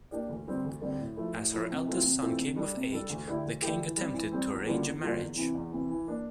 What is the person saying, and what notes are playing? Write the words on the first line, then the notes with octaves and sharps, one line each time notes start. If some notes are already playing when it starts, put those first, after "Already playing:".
As her eldest son came of age, the king attempted to arrange a marriage.
A#3 D4 G4 D5
D2
D3 G3 C4
D2
D3 G3 C4
A2
F3 A3 E4
A2
F3 A3 E4
C3
E3 A3 C4 F4
C3
E3 A3 C4 F4
C3
G3 D4 A4
C3
G3 D4 A4
D2
D3 A3 E4 G4
D2
D3 A3 E4 G4
E3
G3 C4
E3
G3 C4
E2
D3 G3 A#3 F4
E2
D3 G3 A#3 F4
E2
C3 E3
E2
C3 E3
E3
A#3 D4